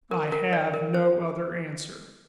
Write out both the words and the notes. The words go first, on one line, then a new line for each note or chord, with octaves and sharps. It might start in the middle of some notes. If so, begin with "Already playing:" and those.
"I have no other answer."
A#4
A#4
D5
A#4
C5